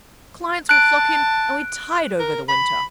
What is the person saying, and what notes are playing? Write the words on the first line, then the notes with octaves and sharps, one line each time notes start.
Clients will flock in; and we tide over the winter.
A5 F#6 D7
A#4
B5